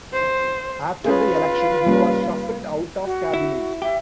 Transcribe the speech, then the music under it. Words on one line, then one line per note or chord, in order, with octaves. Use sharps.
After the election he was shuffled out of cabinet.
C5
C#4 F4 G#4 B4
G3 A#3 C#4
F#4
E4
G4 E5